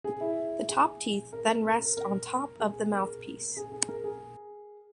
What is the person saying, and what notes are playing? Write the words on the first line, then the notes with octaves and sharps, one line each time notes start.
The top teeth then rest on top of the mouthpiece.
G#4
E4
G#4
A#4
A#4
A#4
A#4
G#4
A#4
G#4
G#4
A#4
G#4